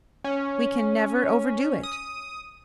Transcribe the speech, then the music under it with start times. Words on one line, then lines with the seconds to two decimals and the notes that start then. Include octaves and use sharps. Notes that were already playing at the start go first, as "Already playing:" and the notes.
We can never overdo it.
0.24 C#4
1.83 D#6